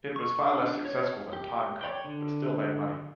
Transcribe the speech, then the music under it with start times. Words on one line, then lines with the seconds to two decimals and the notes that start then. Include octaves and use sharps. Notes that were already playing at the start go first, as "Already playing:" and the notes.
It was far less successful than "Timecop" but still made money.
0.16 C#6
0.44 D4
0.86 C#5
1.33 G4
1.81 C#5 D5 G5
2.05 D3